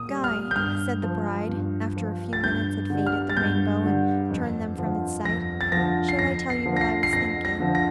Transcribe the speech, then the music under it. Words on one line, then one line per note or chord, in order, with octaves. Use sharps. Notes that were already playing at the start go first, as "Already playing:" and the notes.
'Guy,' said the bride, after a few minutes had faded the rainbow, and turned them from its sight, 'shall I tell you what I was thinking?
Already playing: A#2 D#6
G3
F6
G6
G2 F6
F3
G2
F3
A6
G2 G6
D3 G3
F6
A6
G2 G6
D3 G3
F2
D3 F3
F2 A#6
A6
D3 F3 A#6
C7
F2 A#6
C7
D3 F3
A#6
C7
C7
F2 A#6
A#6
D3 F3
A#6